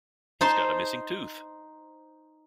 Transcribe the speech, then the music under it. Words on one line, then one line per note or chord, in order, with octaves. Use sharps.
He's got a missing tooth!
D#4 C5 A5 C6